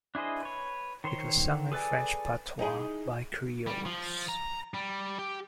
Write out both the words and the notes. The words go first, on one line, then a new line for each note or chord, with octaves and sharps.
It was sung in French patois by Creoles.
D4 E4 G#4 C5 D#5
B4 C#5
D#3 C5 C#5 C6
G#4 A4 B4 D5 G#5
D#4 E4 G#4
G3
F3
A#5
G3
G4